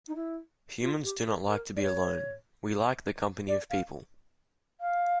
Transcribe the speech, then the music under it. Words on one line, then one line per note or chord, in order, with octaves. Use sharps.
Humans do not like to be alone, we like the company of people.
D#4
E4
F4
G4
A4
A#4
D5
C#5
D5
F5
F5